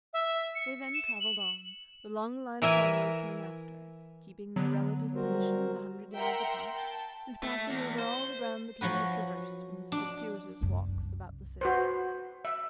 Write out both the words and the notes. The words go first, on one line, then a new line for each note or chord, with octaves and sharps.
They then travelled on, the long line of followers coming after, keeping their relative positions a hundred yards apart, and passing over all the ground the King had traversed in his circuitous walks about the city.
E5
C#7
E7
F#7
E3 A#4 E5 G#5
D3 F#3 B3
G3 F#4 A#4 C5
A#4 E5 F#5 G5 A#5 C6
G5 A5
A3
E2
C5
F3 F#3 F#4 B4
D4
C2 F#2
F#4 B4 C5
E5